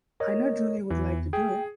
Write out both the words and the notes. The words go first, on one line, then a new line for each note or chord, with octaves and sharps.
I know Julie would like to do it.
A#4 C#5 D#5
E2 E3
G#4 G5